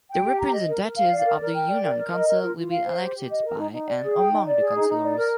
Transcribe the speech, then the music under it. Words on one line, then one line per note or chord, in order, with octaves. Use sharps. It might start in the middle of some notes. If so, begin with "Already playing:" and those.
The representatives of the Union Council will be elected by and among the Councillors.
G5
G4
A#5
D#5
A#4
A#4
F5
D5
A#4
A#4
G5
D5
A#4
A#4
D#5
A#4
F4
F4
F5
C5
G4
G4
D#5
A#4
D#4
D#4
D5
G#4
G5
D#4
D5
G#4
D#4
D#4
D5
A#4